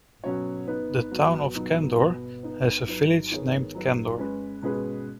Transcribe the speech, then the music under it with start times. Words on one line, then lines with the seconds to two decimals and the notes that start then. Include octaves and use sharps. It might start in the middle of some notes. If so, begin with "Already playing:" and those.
The Town of Candor has a village named Candor.
0.24 B2 F#3 C#4 F#4 C#5
0.67 B3 D#4 B4
1.11 F#3 B3 F#4
1.55 B2 F#3 B3 D#4
1.99 B2 B3 F#4 B4
2.43 B3 D#4 B4
2.87 F#3 D#4 B4
3.31 D#3 B3 G#4 C#5
3.75 F#3 D#4 B4
4.18 G#3 C#4 B4
4.62 B2 G#3 C#4 G#4 B4